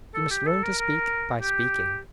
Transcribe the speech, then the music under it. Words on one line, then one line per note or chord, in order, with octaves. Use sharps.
You must learn to speak by speaking.
A4
G4
A4
A#4
A#4
G4